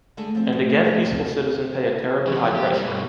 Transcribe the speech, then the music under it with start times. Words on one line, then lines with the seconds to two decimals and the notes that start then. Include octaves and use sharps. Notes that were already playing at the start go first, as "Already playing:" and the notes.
And again peaceful citizen pay a terribly high price for it.
0.17 D3 G#3 A3 G#4 A4
0.35 F3 C4
0.53 A2
0.70 D#4
0.84 A3 A#3 D4 D#4
1.02 D2 G2 C3 F#3 A#3 F4
2.26 E3 F#3
2.43 F2 B2
2.54 G4
2.73 G3
2.84 G2 B2